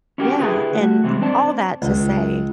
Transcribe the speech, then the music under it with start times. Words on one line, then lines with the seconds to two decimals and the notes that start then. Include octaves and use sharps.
Yeah, and all that to say
0.18 C#4 E4 F#4 G4 A#4 G5
0.39 D3 E4 G4 G#4 B4
0.75 A3 F#4
1.04 C3 E3 G3 G#3 C4
1.21 C4 D4 C5 D5 A5
1.82 C#2